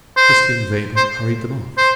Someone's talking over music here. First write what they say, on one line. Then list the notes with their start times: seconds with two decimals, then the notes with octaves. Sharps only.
Christian Weber hurried them off.
0.16 C5
0.96 C5
1.78 C5